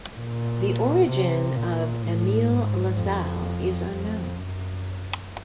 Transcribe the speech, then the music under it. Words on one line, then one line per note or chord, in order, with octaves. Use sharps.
The origin of Emil LaSalle is unknown.
A#2
C3
A#2
A2
G#2
F2
F2
F#2